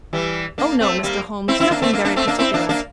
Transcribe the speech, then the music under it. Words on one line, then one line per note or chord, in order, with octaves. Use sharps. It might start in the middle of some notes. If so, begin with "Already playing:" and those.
"Oh, no, Mr. Holmes--nothing very particular."
E3 G3
A#3 D4
A3 C4
G3 A#3
C4 E4
C4 E4
A#3 D4
A3 C4
A#3 D4
A#3 D4
A3 C4
A#3 D4
C4 E4
A#3 D4
A#3 D4